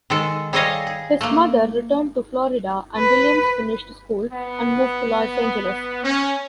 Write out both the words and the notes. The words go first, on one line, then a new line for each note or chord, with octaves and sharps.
His mother returned to Florida, and Williams finished school and moved to Los Angeles.
D#3 G#3 A4
G3 G#4 A4 C#5 D#5 F5
G#4
A3 A#3
B4
B3
C#4